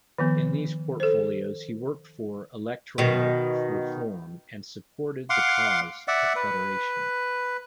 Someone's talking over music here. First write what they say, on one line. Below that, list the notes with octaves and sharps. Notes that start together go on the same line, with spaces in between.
In these portfolios he worked for electoral reform and supported the cause of Federation.
D#3 F3 B3
A4 C5
B2 D#3
F5 F#5 C6 D6
D5 E5 F#5
B4